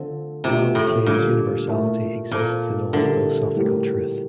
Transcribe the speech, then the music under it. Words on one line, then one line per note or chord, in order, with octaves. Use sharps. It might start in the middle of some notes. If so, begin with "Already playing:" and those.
Mou claims universality exists in all philosophical truth.
Already playing: D3 F3 C4 F4 C5
C3 F3 A3 D4 G4
A2
A#2 D3 G3 D4 A4
A3 E4 A#4
A#2 F3 C4 F4 A4 C5
D3 G3 C4 E4 A#4
A2 G3 C4 G4 A#4